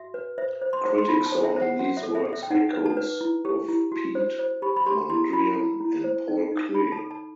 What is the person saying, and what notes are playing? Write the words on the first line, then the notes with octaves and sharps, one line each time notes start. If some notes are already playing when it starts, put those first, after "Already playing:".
A critic saw in these works echoes of Piet Mondrian and Paul Klee.
Already playing: F#4 E5
B4
C5 E5
C5
C6
C5
C6
D#4 B5
A5
C5
E5
C5 E5
F#5
F#4 F#5
E5
A4
E5
A4
E5
G5
D#4 F#5
B4
A5
B4
E4
G4
E4
F#4
C5
C5
G4 B5
B5
G4 C6
E4 C6
E4 B5
E4
E4
C5
D#4
D#4
D#4 B5
A5
A4
A5